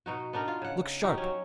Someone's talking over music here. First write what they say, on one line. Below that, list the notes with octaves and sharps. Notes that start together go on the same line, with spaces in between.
Look sharp!
B2 D#4 F#4
B3 D4 D#4 A#4
F4
C#3 F#5
D#4 F#4 G4
F#3 C#4